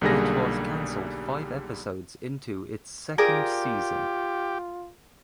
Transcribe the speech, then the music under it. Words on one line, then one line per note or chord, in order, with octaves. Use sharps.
It was canceled five episodes into its second season.
B1 D3 G3 A#3 G#4 A#6
F4 G4 G#4 A#4 D5